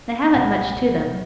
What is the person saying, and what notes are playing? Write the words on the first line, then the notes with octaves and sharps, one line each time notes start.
They haven't much to them.
C2 A#2 G#3 F#5 B5